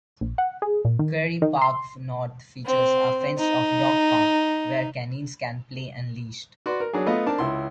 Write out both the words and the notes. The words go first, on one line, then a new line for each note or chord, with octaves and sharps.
Quarry Park North features a fenced off dog park, where canines can play unleashed.
A#1
F#5
G#4
A#2
D#3
D#3
C6
C4
D#4
F#4 B4 D5 C6
A#4
F#3 D4 G#4
A3 B3 F4 D#5
C4 D4 A#4 A5
C#2 E4 C6